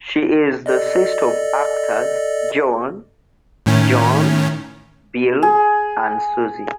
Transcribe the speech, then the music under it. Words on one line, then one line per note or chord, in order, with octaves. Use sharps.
She is the sister of actors Joan, John, Bill, and Susie.
A4 D5 D#5
A2 D#3 C#4
G#4